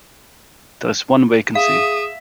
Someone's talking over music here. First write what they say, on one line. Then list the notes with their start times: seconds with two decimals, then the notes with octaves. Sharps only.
There is one vacancy.
1.55 G#4 E5 F5 D#6